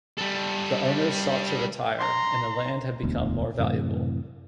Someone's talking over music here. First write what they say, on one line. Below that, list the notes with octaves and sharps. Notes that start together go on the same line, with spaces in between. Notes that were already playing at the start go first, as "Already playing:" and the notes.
The owners sought to retire, and the land had become more valuable.
G3 A4
A#5 C6
E1 D2 B2
F#2 A2 C3 E3